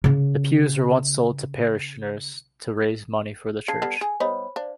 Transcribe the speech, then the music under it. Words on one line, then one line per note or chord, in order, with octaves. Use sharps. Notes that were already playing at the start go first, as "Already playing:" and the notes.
The pews were once sold to parishioners to raise money for the church.
C#3 C#4
C#3 A5 G#6 C7
G3 B3 A4
G#4 G#5
G3 B3 D#4 C5 C#5 B5
D4 C5 D5 F5